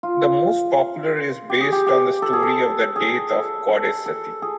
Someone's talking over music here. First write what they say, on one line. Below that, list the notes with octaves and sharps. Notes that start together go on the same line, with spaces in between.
The most popular is based on the story of the death of goddess Sati.
F4
G4
G#4
G4
G4
A4
G#4
A4
G#4
A4
A4
A4
G#4